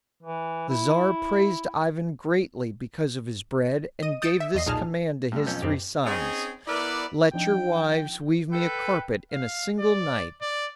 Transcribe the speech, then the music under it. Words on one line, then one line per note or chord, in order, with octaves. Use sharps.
The Tsar praised Ivan greatly because of his bread, and gave this command to his three sons: "Let your wives weave me a carpet in a single night."
E3
E4
D#5 D#7
D#6 G6 A6 C#7 D7 E7
E5
E2 D#5 C7
B1 A#2 D#4 G#4 A5 F6
G2 D3 A3
B1 F2 C#4 G6
B1 F#2 C4 G4
C4 C#4 D#4 G#4
B3 E4 A#4 B4 D5
F3 D4 D#4 G5
A4 B4 G5 G6
F5
D5
D5